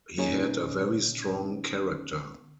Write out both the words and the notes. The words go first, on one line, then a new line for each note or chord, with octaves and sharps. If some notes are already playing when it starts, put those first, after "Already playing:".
He had a very strong character.
A#2 C#3 C#4 D#4